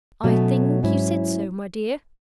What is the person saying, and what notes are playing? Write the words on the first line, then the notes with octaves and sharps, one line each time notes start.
"I think you said so, my dear."
B2 F#3 A3 C#4
G#2 F#3 C#4 E4